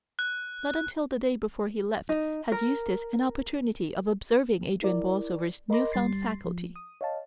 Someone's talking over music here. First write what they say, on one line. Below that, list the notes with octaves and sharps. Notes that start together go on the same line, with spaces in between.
Not until the day before he left had Eustace an opportunity of observing Adrian Borlsover's new-found faculty.
F#6
D#4
A#4
E4 A#4 D5
A#4 D#5 B5 C6 D6 A#6
G1 G3 C6 A6 C7
F3
D#6
C#5 D#5 F5 A5